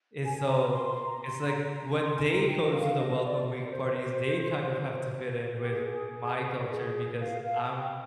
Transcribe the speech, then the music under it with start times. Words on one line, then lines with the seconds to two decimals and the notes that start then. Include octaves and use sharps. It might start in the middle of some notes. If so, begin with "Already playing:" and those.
and so, it's, like, when they go to the welcome week parties, they kind of have to fit in with my culture because I'm
0.23 G#5
0.47 A#5
0.73 C6
0.89 C6
1.06 A#5
1.22 C6
1.40 C6
1.47 A#5
1.72 A#5
1.98 C6
2.16 G#5
2.23 A#5
2.47 G5
2.61 D#5
2.72 F5
2.97 D#5
3.22 D5
3.47 D5
3.65 A#4
3.71 C5
5.59 G4
5.71 G#4
6.71 G#4
7.20 F5
7.70 G5